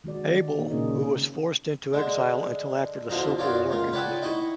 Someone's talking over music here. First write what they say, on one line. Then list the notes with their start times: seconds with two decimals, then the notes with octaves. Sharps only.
Abell, who was forced into exile until after the Civil War concluded.
0.04 D#3 G#3 F#4 D5
0.59 A#3 D#4
0.70 A#2 C#3 C#4 G#4 C#5 D#5
0.89 C#3
1.93 D3 G#3
3.10 E2 B2 D3 F3 D#5 A#5
3.39 F#2 D#4 F4 F#4 C#5 D5
3.70 C#2 F4 A#4 A#5
3.92 B4 C#5 D5 F#5 G5 A5
4.22 D#4 E4 D#5 B5 C#6